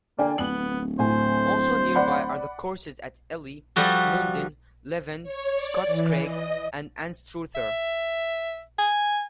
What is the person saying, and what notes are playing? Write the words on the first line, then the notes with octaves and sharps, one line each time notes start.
Also nearby are the courses at Elie, Lundin, Leven, Scotscraig and Anstruther.
D3 A#3 D5 G5 G#5
D1 B3 F#7
A2 C5 G#5
D5 F#5 B5
F3 G3 F#4 A4
C#5
D5
E3
D#5
E5
G#5